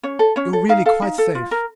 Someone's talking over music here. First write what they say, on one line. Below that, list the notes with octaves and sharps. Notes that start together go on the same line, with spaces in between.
You're really quite safe.
C#4 C#5
A4
C#4 C#5
A4
D#4 F5
A4 F5
D#4
A4
F4
A#4